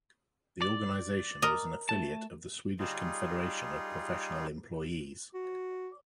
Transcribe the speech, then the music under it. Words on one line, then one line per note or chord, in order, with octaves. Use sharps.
The organization was an affiliate of the Swedish Confederation of Professional Employees.
D5
A#4 D#5
A3 A5
G3 D#4 F4 G#4
F#4